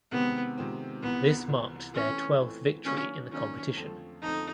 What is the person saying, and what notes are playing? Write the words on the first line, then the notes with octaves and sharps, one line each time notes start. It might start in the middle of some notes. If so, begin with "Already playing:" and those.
This marked their twelfth victory in the competition.
C3 D#3 G#3 B3 C4
C3 D#3 G#3 C4
C2 C3 E3 B3
C2 C3 E3
E3 A3 C4 C#4
E3 A3 C4
D#3 F#3 A#3 C#4 D4
D#3 F#3 A#3 C#4 D4
F2 D3 F3 A3 C4
F2 D3 F3 A3 C4 D#4